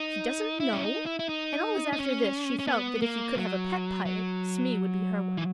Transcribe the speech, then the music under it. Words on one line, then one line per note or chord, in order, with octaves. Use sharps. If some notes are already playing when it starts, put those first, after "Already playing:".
"He doesn't know!" and always after this she felt that if you could have a pet pirate Smee would be her one.
Already playing: D#4
E4
C#4
D#4
E4
E4
D#4
D#4
C#4
C#4
B3
A#3
F#3
F#3
E3